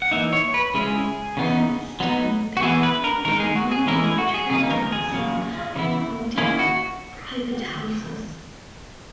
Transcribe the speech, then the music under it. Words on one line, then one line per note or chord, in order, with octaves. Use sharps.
By this time they were found on many large buildings, including private houses.
F#5
E3 A#3 D#4 E5
C#5
B4
C#3 G#3 C#4 E4 G#4
C#3 E3 B3 D#4
F#3 B3 D#4
F#4
E3 B3 E4 G#4
B4
A#4
D#3 G#3 D#4 A#4
G#4
F#4
G#4
E3 G#3 C#4 E4 A#4
G#4
F#4
G#4
C#3 F#3 A#3 D#4 G#4
A#4
G#4
C#3 F#3 A#3
C#3 E3 B3 E4
D#3 A#3 C#4 E4 G#4
F#4